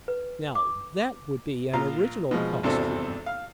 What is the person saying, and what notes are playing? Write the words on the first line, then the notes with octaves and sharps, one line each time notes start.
Now that would be an original costume.
B4
D6
A#1 F4 F5 A#5
B2 F3 G#3
G#1 E2 C3 C4 D4 A4
F5